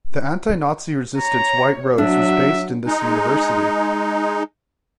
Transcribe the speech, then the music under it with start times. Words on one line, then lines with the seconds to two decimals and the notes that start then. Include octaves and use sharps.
The anti-Nazi resistance White Rose was based in this university.
1.17 C#5 A#5
1.98 F#3 D4 E5
2.86 G#3 D#4